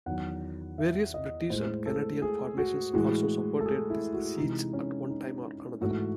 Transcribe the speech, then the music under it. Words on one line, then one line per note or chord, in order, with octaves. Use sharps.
Various British and Canadian formations also supported the siege at one time or another.
E2 D#3 F#3 F#5
E5
D#5
A2 G#3 C5
A4
G#4
F#4
A2 E3 G#3 F#4
A4
G#4
E4
F#4
C3 E3 G#3 D#4
C#4
D#4
G#2 E3 A3 F#4